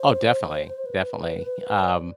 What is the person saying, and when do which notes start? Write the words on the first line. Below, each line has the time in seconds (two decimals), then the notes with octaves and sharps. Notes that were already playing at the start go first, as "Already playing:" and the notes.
Oh, definitely, definitely. Y um,
Already playing: C5
0.86 B4
1.79 D5
1.94 C5